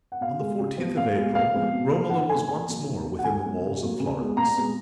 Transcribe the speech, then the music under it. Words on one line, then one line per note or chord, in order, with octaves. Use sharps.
On the fourteenth of April Romola was once more within the walls of Florence.
F#5
B2 F5
G#3 B3
C#3
F3 B3
A#2 F5
G#3 B3
A#2 F5
F3 G#3 B3
B2
A#3
D#3 F#5
F#3 A#3 G#5
A#2 G#5
F#3 A#3
D#3
A#3
F#5
D#3 G#5
G#3 B3
C#3
F#3 A#3
C#3
G#3 B3
A#2 A#5
G#3 B3